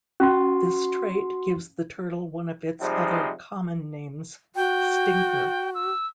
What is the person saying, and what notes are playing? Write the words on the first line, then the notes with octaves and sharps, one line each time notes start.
This trait gives the turtle one of its other common names, "stinker".
C#4 F4 F#4 C6
C3 F3 G3 G#3 D#4
F#4 G5
E6